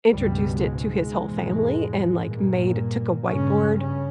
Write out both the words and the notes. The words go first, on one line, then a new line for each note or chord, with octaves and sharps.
introduced it to his whole family and, like, made took a whiteboard
C#2 G2 B2 G3
G#2 G#3
E2 B2
G2 A#2 A#3
G2 C#3 C#4
C#3 C#4